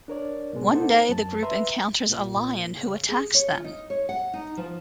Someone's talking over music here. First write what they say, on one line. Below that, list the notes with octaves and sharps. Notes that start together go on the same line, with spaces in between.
One day the group encounters a lion who attacks them.
D4 A#4 C#5 D5
G#2 B2 G#3
A#3 C4 D#4 A4 C5 F#5
F#2 A5
B4 E5 A#5 C6
A#2
C#3
G#4
C#5
F4
D#4
C#5
F#5
D#4
F3